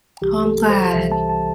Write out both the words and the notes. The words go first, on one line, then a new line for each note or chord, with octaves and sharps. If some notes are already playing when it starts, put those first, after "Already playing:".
Oh, I'm glad.
C2 C3 E3 G3 G4
A4
C5
C2 C3 E3 G3 E5
A5
A5